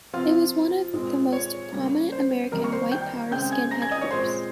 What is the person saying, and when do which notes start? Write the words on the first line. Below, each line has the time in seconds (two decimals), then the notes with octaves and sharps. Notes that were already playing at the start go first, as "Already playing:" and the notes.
It was one of the most prominent American white power skinhead groups.
0.13 C3 F3 C4 F4 F5
0.93 A#2 G#3 C4
1.32 C#5
1.72 C#3 G3 A#3
2.12 C5
2.52 C3 D#3 G3 A#3 A#4 A#5
2.64 C#6
2.72 C5 C6
2.92 G5 G6
3.31 C#3 G#3 C4 G5 G6
3.51 G#5 G#6
3.71 A#5 A#6
3.82 G#5 G#6
3.91 D#5 D#6
4.01 C#5 C#6
4.11 A#2 G#3 C4 C5 C6